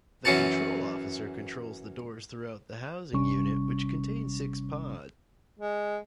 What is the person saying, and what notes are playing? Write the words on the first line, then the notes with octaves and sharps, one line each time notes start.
The control officer controls the doors throughout the housing unit, which contains six pods.
F#2 E3 C#4 F#4 A5
G#1 C3 G3 C#4 C#6
G#3